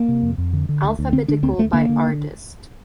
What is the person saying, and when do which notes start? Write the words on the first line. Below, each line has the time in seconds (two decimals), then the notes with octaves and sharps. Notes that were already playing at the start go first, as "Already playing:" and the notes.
Alphabetical by artist.
Already playing: A#3
0.08 C3
0.23 F2
0.38 F2
0.53 D3
0.69 D3
0.83 D2
0.99 D2
1.13 D3 C4
1.28 D3 D4
1.43 D2 C4
1.58 D2 A3
1.73 D3 A#3
1.89 D3